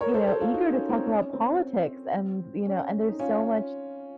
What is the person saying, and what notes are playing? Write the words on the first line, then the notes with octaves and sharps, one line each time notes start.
you know, eager to talk about politics and, you know, and there's so much
A#4 C#5
A4 C5
A4 C5
F4 A4
D#4 F#4
C#4 F4
C4 D#4
C#4
C4
C#4
D#4
C#4 F4